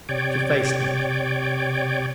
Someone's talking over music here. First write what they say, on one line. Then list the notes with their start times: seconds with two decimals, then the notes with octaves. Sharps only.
She faced me.
0.09 C3 C#5 D5 G5